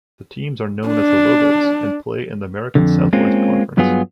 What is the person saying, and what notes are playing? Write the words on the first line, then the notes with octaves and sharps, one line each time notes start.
The teams are known as the Lobos, and play in the American Southwest Conference.
D4
F2 G#2 D3
G#3 A#3 C4 C#4 F4
G2 F#3 B3 F4 G#4